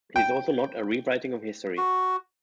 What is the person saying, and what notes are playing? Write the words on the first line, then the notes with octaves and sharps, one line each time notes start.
It is also not a rewriting of history.
G5
F#4